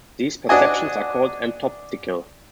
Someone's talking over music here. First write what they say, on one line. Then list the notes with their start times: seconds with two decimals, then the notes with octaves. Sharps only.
These perceptions are called "entoptical".
0.49 D4 F#4 D#5 G#5